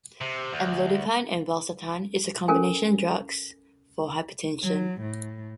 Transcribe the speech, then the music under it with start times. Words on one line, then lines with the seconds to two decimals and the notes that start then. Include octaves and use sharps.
Amlodipine and valsartan is a combination drugs for hypertension.
0.21 C3
0.53 D2
2.48 C#4 A4 A#4 G#5
4.64 F#3
5.02 A2